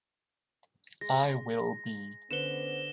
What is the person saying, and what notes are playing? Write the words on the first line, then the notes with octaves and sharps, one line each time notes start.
I will be.
G#3 A#6
D3 B3 C#4 B4 C5 F#5 E7 G7